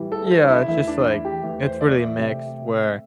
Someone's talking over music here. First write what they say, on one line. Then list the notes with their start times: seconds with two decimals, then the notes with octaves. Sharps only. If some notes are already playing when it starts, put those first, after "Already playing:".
Yeah, it's just like it's really mixed where
Already playing: A2 E3 G3
0.12 A4
0.26 A4
0.31 C5
0.44 D4
0.49 E4
0.68 E2 E3 A3 E4
0.87 D4
1.05 E4
1.25 G4
1.43 E2 E3 A3
1.62 C5
1.81 D5
2.00 E5
2.18 C3 A3